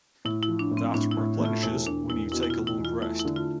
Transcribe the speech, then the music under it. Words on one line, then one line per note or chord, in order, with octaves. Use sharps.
That replenishes when you take a long rest.
A2 E4
E4
F3
D4
A2
C4
A2 D4
E4
A2
A3 F4
E1 E4
E1 D4
E2 E4
B2 E4
E4
F4
E2
E4
E2
F4
A3 E4
E4
D3
F4